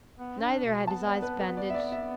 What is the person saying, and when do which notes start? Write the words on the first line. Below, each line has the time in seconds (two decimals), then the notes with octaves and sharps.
Neither had his eyes bandaged.
0.19 B3
0.41 D4
0.65 B2
0.87 B3 A5
1.05 D5
1.22 B4
1.40 B4
1.57 D5
1.70 E5
1.74 D5
1.92 E5